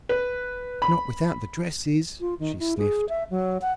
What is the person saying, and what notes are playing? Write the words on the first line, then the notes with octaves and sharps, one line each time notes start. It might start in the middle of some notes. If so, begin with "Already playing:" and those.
"Not without the dresses," she sniffed.
B4
B5
F4
D#3
E4
G#4
E5
F#3
F#5